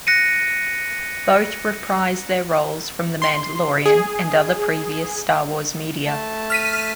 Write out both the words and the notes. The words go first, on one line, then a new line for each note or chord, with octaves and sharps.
Both reprise their roles from "The Mandalorian" and other previous "Star Wars" media.
F#6 A#6 C#7 D#7
C6
G#4
A3 A5
F6 B6 D#7